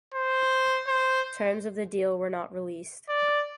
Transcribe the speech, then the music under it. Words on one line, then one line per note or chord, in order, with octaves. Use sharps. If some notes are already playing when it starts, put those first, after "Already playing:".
Terms of the deal were not released.
C5
C5
D5